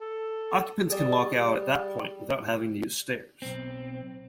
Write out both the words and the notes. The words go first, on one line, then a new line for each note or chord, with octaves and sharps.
Occupants can walk out at that point without having to use stairs.
A4
G3 G#4 D5
B1 C4